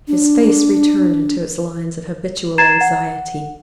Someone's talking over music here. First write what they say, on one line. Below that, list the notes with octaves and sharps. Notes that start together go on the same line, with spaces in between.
His face returned into its lines of habitual anxiety.
D4
A#5 G#6 A6 C7 E7
F#5